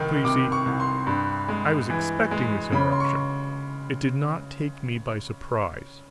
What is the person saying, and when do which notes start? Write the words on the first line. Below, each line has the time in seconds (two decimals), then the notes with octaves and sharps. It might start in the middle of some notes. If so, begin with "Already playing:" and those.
So you see I was expecting this interruption; it did not take me by surprise.
Already playing: C2 D#3
0.24 C3 D6
0.52 C#6
0.66 C2
0.80 C6
1.07 G2
1.48 G#3
1.90 E3
2.31 G#3
2.72 C#3 B5
2.92 C6
3.00 C#6